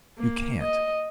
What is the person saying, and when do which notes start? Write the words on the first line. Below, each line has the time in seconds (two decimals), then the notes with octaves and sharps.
You can't.
0.18 A#3
0.61 D#5